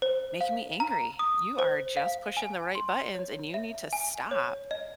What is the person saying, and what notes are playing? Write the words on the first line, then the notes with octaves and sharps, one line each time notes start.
making me angry, you are just pushing the right buttons and you need to stop."
C5
F5
A#5
D#6
C5
F5
G#5
C6
C#5
E5
G#5
C#5
D#5